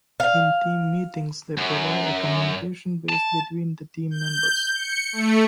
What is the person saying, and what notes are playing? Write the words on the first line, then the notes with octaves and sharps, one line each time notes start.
In team meetings they provide a communication base between the team members.
F5
F#2
A5
G6
C#7
A3